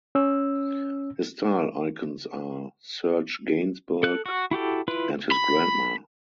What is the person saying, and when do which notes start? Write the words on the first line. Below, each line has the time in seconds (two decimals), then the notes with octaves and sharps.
His style icons are Serge Gainsbourg and his grandma.
0.15 C#4 E6
4.03 A4 F#6
4.26 F#4
4.51 E4 F#4 G4 A4
4.88 E4 F4 B4
5.31 B5